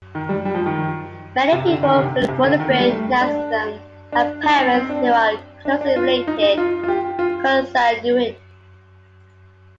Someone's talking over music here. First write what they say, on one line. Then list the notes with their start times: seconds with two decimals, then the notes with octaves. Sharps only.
Many people with Mulibrey nanism have parents who are closely related, consanguine.
0.15 D#3
0.29 G3
0.45 G3
0.55 F3
0.66 D#3
1.52 C3
1.67 D3
1.83 D#3
1.91 D3
1.98 C3
2.28 C3
2.43 D3
2.60 D#3
2.70 A#3
2.80 G3
2.89 A3
3.21 D4
4.12 D4
4.43 D#4
4.59 C4
4.74 C4
4.89 D4
5.65 D4
5.81 D4
5.96 F4
6.27 D#4
6.42 D#4
6.58 F4
6.84 F4
6.88 G4
7.19 F4